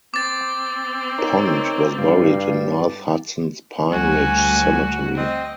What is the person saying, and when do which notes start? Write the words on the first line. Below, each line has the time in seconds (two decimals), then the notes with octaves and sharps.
Pond was buried in North Hudson's Pine Ridge Cemetery.
0.14 C4 D6 A6
1.18 D#4 A#4 C#5
1.98 G2 F5
3.93 D2 G3 F#4 G#5
5.17 C4 D#5